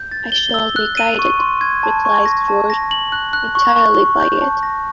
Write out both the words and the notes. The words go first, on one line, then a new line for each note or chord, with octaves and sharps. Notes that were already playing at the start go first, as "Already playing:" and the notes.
"I shall be guided," replies George, "entirely by it."
Already playing: G6
A6
G7
E6
F#6
D#7
C#6
C6
G#6
A5
C#6
A#6
A5
A#6
F#7
F#6
F#6
C#6
C#6
C#6
G6
A5
A#6